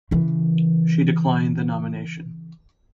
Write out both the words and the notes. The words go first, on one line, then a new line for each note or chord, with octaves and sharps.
She declined the nomination.
C#3 E3